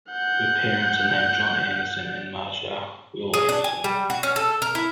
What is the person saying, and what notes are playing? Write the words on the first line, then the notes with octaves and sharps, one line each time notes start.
Her parents are named John Anderson and Maja Will Anderson.
F#5 G6
G#4
D4
G#5
G3
F#4
C#4
A4
A#4
E4